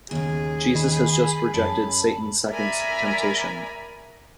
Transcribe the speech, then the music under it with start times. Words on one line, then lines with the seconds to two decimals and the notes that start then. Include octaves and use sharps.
Jesus has just rejected Satan's second temptation.
0.11 D#2 C#3 G#4
0.75 D#3 B5
1.54 F#2 A5
2.50 A#4 D5 E5 G#5 A#5 B5